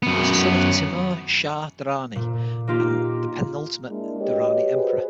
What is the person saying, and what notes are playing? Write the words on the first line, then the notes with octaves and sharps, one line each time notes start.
He was the son of Timur Shah Durrani, and the penultimate Durrani Emperor.
F#2 B3
A#2
A#3 D#4 F4 G4
G#3 A#3 D4 E4
F#4 G4 B4 C#5 D#5
F#4 G#4 B4 C5